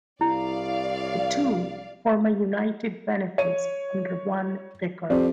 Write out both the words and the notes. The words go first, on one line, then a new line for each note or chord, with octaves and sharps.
The two form a united benefice under one vicar.
C2 E4 D5 F5
C#5 D#7
F2 G4 C5 D5